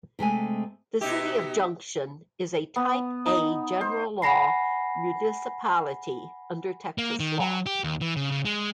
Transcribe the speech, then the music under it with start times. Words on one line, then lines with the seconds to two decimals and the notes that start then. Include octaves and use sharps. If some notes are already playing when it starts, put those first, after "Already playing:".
The city of Junction is a "Type A" General Law municipality under Texas law.
0.19 C3 G#3 A3 G#5
1.01 B2 D#4 G4 E5
2.76 B3
3.26 D#4
3.81 C5
4.22 F#5 G#5 B5 A#6 C7
6.98 A#3
7.20 D#3
7.39 F#3
7.66 G4
7.84 D#2
8.01 E3
8.16 C#3
8.31 C#3
8.45 G#3